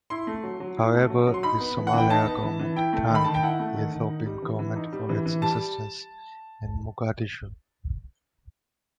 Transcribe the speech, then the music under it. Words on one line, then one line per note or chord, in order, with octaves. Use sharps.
However the Somalia government thanked the Ethiopian government for its assistance in Mogadishu.
E4 C6
A3
F#3
F#3
E4
A3
F#3
F#3
C6
D#4 B5
B3
E3
F#5
E3 G5
D#4 A5
B3
E3
E3
E4 G5
A3
D#3
B5
D#3 A5
G5
E4 F#5
A3
D#3
D#3
D#4
G3
E3
E3
D#4
G3
E3
E3
G3 A5